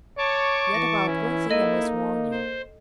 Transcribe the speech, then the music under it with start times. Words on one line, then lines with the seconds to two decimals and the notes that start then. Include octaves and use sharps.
Yet about one thing I must warn you.
0.18 C#5 A5 C#6 D6
0.74 E3 A#6
1.06 C#4 E4
1.50 A#3 D#4 A4 D#5 D#7
2.31 C5